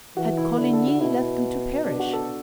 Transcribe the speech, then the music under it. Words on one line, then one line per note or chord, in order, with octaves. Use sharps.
Had Coligny left them to perish?
E3 F#4
E4
D3 E4
A4
F#4
B2 E4
B2 D4
F#4
A4